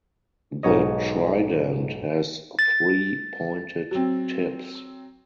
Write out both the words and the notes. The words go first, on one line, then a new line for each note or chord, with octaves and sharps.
The Trident has three pointed tips.
B1 G#2 C#5 D#5
A6
F#3 C4